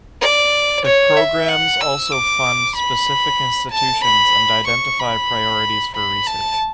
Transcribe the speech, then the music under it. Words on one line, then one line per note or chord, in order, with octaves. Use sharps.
The programs also fund specific institutions and identify priorities for research.
D5
C#5
E5
F#5
E6
D6
B5
A5
B5
C#6
B5
B5
A5